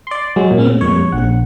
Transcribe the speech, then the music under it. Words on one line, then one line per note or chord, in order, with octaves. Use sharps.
Mhm. M
D5 C6
F#3 G#3
A#2
F2 A#2 C#5
A#1 F#5